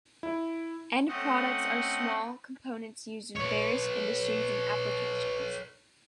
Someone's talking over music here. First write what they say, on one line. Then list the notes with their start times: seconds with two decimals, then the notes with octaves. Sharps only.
End products are small components used in various industries and applications.
0.23 E4
1.08 A3 C4 C#4 D#5 F#5
3.36 B4 C#5